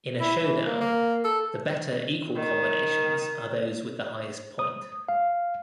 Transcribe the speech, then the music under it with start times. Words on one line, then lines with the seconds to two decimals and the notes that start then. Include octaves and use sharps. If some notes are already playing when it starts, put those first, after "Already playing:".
In a showdown, the better equal combinations are those with the highest point.
0.20 E4
0.44 E3
0.65 A#3
0.81 A#3
1.24 A4
2.35 D#3
4.59 D#6
5.09 F5